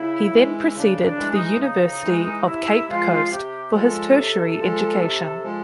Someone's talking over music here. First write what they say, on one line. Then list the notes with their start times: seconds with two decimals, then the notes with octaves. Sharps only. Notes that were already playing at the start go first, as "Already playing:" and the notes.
He then proceeded to the University of Cape Coast for his tertiary education.
Already playing: C#3 E4
0.31 E3 G#3
0.74 C#3 D4
1.03 D4
1.17 E3 G#3
1.32 D#4
1.59 C#3 D#4
2.02 E3 G#3
2.44 C3 E4
2.87 F3 G#3 F4
3.30 C3 G4
3.72 F3 G#3 A4
4.15 C3
4.58 F3 G#3
5.00 C3
5.43 F3 G#3